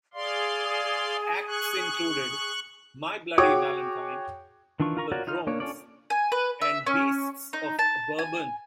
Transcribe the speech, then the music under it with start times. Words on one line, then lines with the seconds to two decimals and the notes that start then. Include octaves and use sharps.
Acts included My Bloody Valentine, The Drones and Beasts of Bourbon.
0.14 G#4 D5 F5 C6
1.47 C#6 F#6
3.38 F#4 G#4 C#5 G5 C#6 D6
4.80 D#3 E3 D4 F4 C#6
4.97 F4 A#4 A#5 C#6
5.11 F4 F#4 A#4 C#5 D5
5.27 D#4 F4 F6
5.47 A#3 D4 C#5
5.60 C#4 F4 A4 C#5 D5
6.10 G#5
6.32 B4
6.61 E5
6.86 C#4
7.53 D#4
7.79 A5
8.19 G#5